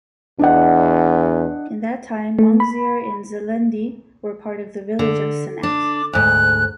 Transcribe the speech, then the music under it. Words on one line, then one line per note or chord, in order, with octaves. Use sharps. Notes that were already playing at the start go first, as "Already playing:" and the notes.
In that time, Monxiar and Xlendi were part of the village of Sannat.
E2 D4 D#5 F#5
A3
B5
D3
D4 D6
D2 G#2 F#6